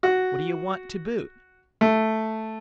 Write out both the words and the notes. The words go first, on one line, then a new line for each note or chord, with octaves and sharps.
What do you want to boot?'
F#4
A3